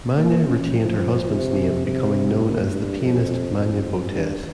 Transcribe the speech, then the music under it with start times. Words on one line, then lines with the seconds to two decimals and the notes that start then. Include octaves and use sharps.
Mania retained her husband's name, becoming known as the pianist Manya Botez.
0.17 A#3
0.46 C#4
0.75 F3
1.31 C3
1.86 C3
2.43 A#2
2.71 G2
2.99 F2
3.56 F2
4.11 G2